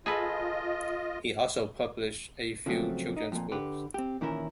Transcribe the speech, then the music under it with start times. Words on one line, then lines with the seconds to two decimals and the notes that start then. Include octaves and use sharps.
He also published a few children's books.
0.06 F4 G#4 A4 B4 D#5
2.66 C#3 F3 F#3 G#3 A3 C4
3.17 D#4
3.32 F2 A#2
3.52 D3 G4 B4
3.94 C4 G4
4.21 A#2 D#3 E3 C#4 E4 A#4